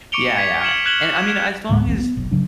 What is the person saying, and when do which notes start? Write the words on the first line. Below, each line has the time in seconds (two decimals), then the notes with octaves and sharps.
Yeah, yeah. And, I mean, as long as
0.12 C#6 D6 C#7 D7 F7 G7
0.37 G#6 B6
0.61 F6 G#6 C#7 E7 F#7
0.86 F#6 G#6 C#7 E7 F#7 G7
1.17 E7
1.69 D2 A2 G3 G#3
1.86 F1 C2 E3 C4
2.00 B3
2.17 F#1 B1
2.31 C#3 F#3 D4